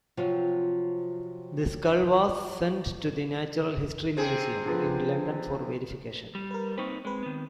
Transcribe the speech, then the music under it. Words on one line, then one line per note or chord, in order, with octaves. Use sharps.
The skull was sent to the Natural History Museum in London for verification.
C3 F3 F#3 C4 F4
C3 C4 G#4
D3 F3 B3
G3
A#4 B4
A#3 C4 D#4 B4 C#6
G#3 C4 B4
D#3 B3